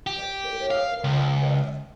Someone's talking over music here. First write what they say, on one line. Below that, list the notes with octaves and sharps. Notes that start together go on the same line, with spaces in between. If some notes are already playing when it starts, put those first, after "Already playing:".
like, data or, like, uh,
G4
F5
C#2